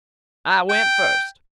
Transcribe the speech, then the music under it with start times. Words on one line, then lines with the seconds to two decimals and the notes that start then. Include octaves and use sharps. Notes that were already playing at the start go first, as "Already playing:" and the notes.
I went first.
0.69 G5